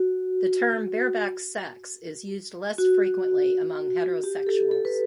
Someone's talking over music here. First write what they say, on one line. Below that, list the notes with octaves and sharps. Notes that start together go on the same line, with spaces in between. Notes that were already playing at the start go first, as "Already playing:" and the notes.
The term "bareback sex" is used less frequently among heterosexuals.
Already playing: F#4
F#4
G4
A4
A4
B4